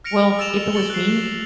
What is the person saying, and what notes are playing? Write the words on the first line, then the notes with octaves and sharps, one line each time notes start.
Well, if it was me,
F6 A#6 C#7 D7 F7
E6 A6 D7 E7 F7
C#6 A6 C#7 F#7 G7
F#6 C7